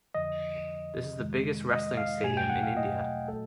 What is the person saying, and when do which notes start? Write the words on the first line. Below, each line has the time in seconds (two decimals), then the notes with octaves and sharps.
This is a biggest Wrestling Stadium in India.
0.14 F2 D3 F3 D#5
1.19 F2 C3 D#3 G#3
1.71 D#5
1.97 F5
2.23 E2 B2 F#3 A3 G#5
2.37 G5
2.50 F#5
2.63 F5
2.77 D#5
3.28 A#2 F#3 A3 A4